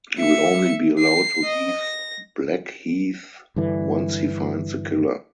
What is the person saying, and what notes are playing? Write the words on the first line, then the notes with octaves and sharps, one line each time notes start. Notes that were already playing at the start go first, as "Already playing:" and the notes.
He will only be allowed to leave Blackheath once he finds the killer.
E5 C#7
C7
D#5
A#6
G2 D3 E3